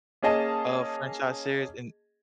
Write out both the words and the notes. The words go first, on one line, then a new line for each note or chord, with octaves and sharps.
uh, franchise series, and
A#3 C#4 G#4 D#5 A5